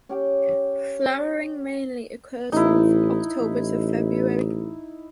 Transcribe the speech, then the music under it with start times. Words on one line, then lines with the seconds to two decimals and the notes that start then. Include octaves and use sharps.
Flowering mainly occurs from October to February.
0.09 C#4 G4 G5
2.52 A1 D#4 E4
3.41 A1